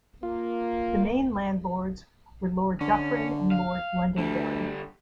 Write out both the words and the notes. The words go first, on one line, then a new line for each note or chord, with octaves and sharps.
The main landlords were Lord Dufferin and Lord Londonderry.
A#3 F4
D3 C#4
F5
D2 D3 G3